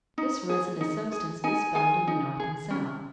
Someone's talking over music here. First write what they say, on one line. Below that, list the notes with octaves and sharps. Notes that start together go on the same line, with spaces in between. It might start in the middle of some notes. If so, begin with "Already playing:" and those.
This resinous substance is found in the north and south.
D#4
G#4
D#4
G#4
D#4 G#5
G#4 G#5
D#4
G#4
C#4